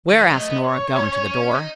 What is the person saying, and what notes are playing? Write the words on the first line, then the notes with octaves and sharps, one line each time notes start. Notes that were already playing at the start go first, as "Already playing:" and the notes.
"Where?" asked Nora, going to the door.
D#3
E3
F#3
A3 D#5
B3
C#5
C#4
D#4